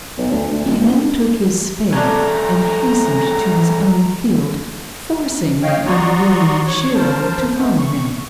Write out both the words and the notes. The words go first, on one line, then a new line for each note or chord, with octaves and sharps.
He then took his spade and hastened to his own field, forcing the unwilling Shiro to follow him.
B1
D2
D2
D#1
F#1
G2 A3 C#4 D4 A#5
C#5 D#5 F5 G5
F#4 D5 A#5 C6 C#6 D#6
C#5 C#6
A#4 C5 A5
G#3 A3 B3
C#6